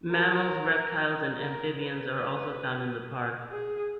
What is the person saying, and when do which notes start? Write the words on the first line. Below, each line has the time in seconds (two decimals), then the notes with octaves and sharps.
Mammals, reptiles and amphibians are also found in the park.
0.11 A#4
1.39 A#4
1.80 B4
3.50 G#4